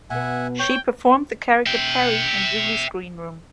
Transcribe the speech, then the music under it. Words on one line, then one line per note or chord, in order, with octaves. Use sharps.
She performed the character Peri in "Julie's Greenroom".
B2 B3 E5 F#5 G#5
C#5 G5 C#6
E5 G5